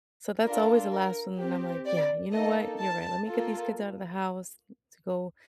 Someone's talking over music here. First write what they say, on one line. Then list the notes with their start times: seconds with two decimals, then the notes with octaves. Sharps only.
So, that's always the last one then I'm, like, "Yeah, you know what? You're right. Let me get these kids out of the house t to go
0.45 D4 F4 A4 A#4
0.92 A#4
1.39 C4 G4
1.86 D5
2.32 A#3 D#4 A4 D#5
2.80 A5
3.27 A#3 F4 A4